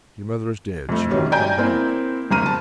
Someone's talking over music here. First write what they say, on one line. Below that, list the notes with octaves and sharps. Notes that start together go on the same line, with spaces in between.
"Your mother is dead; she won't come back."
F2 A3
C3 D#3 F#3 C#4 G4
D5 G5 G#5 A#5 G6
A#3 C4 E4
F#1 D2 A#5 F6 D#7
A5